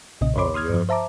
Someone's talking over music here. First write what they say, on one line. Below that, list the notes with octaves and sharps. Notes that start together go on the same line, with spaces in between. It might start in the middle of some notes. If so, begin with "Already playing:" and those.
Oh, yep.
B1 A#2 C#3 D#5
C#5 B5 C6 D6
C6 D#6 F6 G#6
G2 F3
C5 E5 A5 A#5 D6